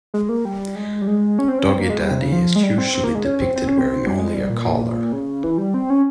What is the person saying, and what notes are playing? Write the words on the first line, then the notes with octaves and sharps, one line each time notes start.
Doggie Daddy is usually depicted wearing only a collar.
G#3
A#3
G3
G#3
G3
G#3
C#4
C4
C#4
C4
A#3
G#3
G3
C3
C#3
F3
G#3
G3
C4
C4
A#3
G#3
C#4
C4
C4
C#4
C4
G3
G#3
G3
A#2
C#3
E3
G3
C4
C#4